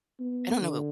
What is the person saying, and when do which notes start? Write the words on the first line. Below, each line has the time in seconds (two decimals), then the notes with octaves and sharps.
I don't know,
0.20 B3
0.61 D3